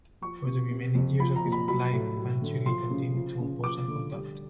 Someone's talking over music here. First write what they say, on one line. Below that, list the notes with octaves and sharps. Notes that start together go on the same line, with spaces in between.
For the remaining years of his life Fanciulli continued to compose and conduct.
F3 C#6
C3
C3
F2
F3 B5
A#5
A#2
B5
F#3 B5
A2
F#3
D3
F3 C6
C#3
F3
C#3
F3 D6
D3
G3